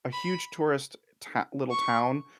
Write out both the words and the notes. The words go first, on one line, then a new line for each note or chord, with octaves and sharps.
a huge tourist, eh, tow little town,
B5
C#6